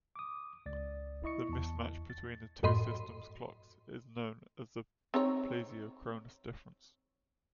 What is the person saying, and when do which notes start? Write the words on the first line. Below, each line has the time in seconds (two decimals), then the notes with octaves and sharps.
The mismatch between the two systems' clocks is known as the plesiochronous difference.
0.16 D6 D#6
0.66 C#2 D5 A6
1.24 E4 D#5 C#6 C#7
1.49 E2 A5
2.10 A6
2.63 F#2 A2 D#5 B5 C6
5.14 C4 D#4 C#5